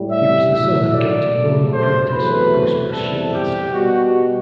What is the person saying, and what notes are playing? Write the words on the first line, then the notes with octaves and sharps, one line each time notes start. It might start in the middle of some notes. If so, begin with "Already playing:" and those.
He was the son of Captain William Prentiss a prosperous shipmaster.
Already playing: A2 G3
E5
A2 F#3 A3 E5
D5
G2 F#3 A3
C5
E2 C3 F#3 A3 B4
E2 C3 G3 A4
G4
B2 G3 F#4